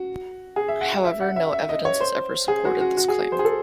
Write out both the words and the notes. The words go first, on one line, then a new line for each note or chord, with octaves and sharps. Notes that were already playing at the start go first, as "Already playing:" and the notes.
However, no evidence has ever supported this claim.
Already playing: F#4
G#4
E5
F#5
F#5
E5
F#5
E5
E5
D#5
C#5
C5
G#4
F#4
F#4
F#4
G#4
C5
G#4
A4